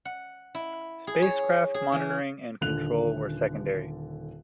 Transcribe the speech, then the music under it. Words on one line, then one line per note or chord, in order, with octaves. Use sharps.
Spacecraft monitoring and control were secondary.
F#5
E4
G#4
C#5
G#4
E3
D#1 D3 F#6 F7